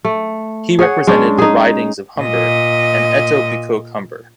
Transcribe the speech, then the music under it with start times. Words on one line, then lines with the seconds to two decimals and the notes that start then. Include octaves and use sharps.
He represented the ridings of Humber and Etobicoke-Humber.
0.05 A3
0.79 G#4 C#5 F#5
1.07 G#3 C#4 D4
1.38 D#4 G#4
2.20 A#2 D#5